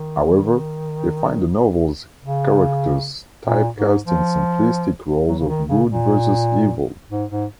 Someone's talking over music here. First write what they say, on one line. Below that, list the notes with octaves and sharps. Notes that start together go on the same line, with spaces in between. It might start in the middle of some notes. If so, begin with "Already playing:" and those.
However, they find the novel's characters typecast in simplistic roles of good versus evil.
Already playing: D#3
C#3
A#2
G#2
F3
F#3
C#3
D#3
C#3
A#2
G#2
G#2